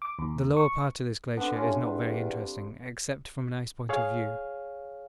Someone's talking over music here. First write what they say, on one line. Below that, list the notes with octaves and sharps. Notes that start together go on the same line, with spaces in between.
The lower part of this glacier is not very interesting, except from an ice point of view.
D6
D#2
C#6
D3 B3 C4 D4
G3 C4 C#4 F4
E2
D4
G#4 C#5 F5 F6